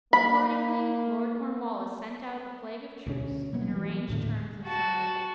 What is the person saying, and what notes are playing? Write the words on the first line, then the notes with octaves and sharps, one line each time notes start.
Accordingly Lord Cornwallis sent out a flag of truce and arranged terms of surrender.
A#3 B5
D2 B2 C#4
F#3 A#3 B3
E3 F#3 G3
D#1 A2 D3 A3
F#4 A5